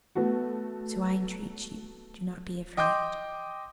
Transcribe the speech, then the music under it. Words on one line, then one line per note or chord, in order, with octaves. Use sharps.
So I entreat you do not be afraid.
A3 B3 F#4
D#5 G5 C6 D6 G6